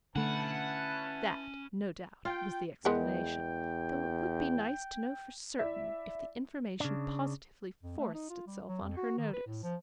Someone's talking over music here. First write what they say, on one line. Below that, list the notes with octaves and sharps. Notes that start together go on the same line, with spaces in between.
That, no doubt, was the explanation, though it would be nice to know for certain, if the information positively forced itself on her notice. . . .
D3 A3 C#4 E4 B4 F#5 A5 B5
F4 G5
E2 G#3 B3 A#4 G5
E4 D5 E5
C#3 D4
F2
A3
D#4
F4
G3
F#3
F2
F#4
D#3
B4
A2
F3